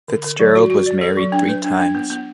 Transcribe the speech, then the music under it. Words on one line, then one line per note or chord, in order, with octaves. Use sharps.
Fitzgerald was married three times.
D3
D3
F#3
F#4
F#4
D5
A4
F#3
D4
B4
D4
D4
B3
B3